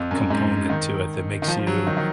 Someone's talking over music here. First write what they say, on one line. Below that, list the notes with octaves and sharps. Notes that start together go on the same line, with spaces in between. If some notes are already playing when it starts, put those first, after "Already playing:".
component to it that makes you
Already playing: F2
F#2
G#2
D#3
D#3
F3
F3
F#3
D#3
D#3